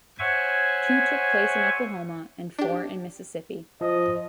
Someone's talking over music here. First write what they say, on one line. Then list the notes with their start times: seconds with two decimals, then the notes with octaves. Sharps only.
Two took place in Oklahoma and four in Mississippi.
0.19 C5 C#5 E5 F#5 G#5 C#6
2.59 D4 G4
3.81 F3 D#5